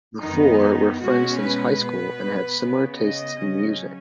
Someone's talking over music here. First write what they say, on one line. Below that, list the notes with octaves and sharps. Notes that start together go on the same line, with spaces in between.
The four were friends since high school and had similar tastes in music.
F#2 D#3 B3 D#4
B2 G#3 C#4 F#4
B4
B2 B3
C#3 B3
D#5
C#3 F#3 C#4